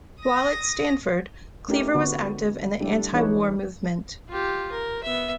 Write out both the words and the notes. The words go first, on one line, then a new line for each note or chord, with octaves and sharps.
While at Stanford, Cleaver was active in the Anti-war Movement.
D#6 A#6
A3 C#4 D#4 G4 A#4
D3 B3 F#4 B4
G3 A3 D4 E4 G4 A4
E3 D4 D#4 G#4 B4 C#5
F4 G4
A#4
B3 E5